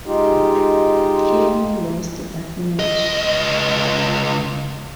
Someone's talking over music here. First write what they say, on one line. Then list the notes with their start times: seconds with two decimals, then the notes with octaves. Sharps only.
Kane lost that match.
0.06 G#3 D#4 F4 G4
2.80 C#2 D#5